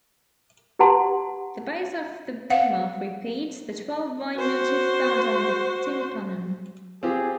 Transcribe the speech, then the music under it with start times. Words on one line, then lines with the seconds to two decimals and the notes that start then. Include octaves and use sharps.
The base of the bimah repeats the twelve vine motif found on the tympanum.
0.79 G4 B4 F#5 A5 A#5 C6
2.50 F5 F#5
4.36 F#4 C5
7.03 C4 F4 G4 G#4